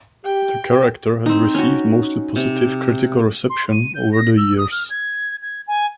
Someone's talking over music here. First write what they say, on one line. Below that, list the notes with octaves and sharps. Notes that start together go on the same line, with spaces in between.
The character has received mostly positive critical reception over the years.
G4 G5
C4 D#4
C#4 F#4
C3
C6
D#7
G6
A#6
E6
D#6
F6
G#6
G#6
G#5